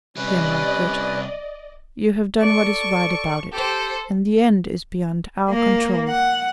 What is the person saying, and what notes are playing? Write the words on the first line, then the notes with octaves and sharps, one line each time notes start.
Dear Margaret, you have done what is right about it; and the end is beyond our control.'
C3 G3 C#4 B4 D5 D#5
A4 D5 A5 C#6
G4 A4 C5
A#3
F#5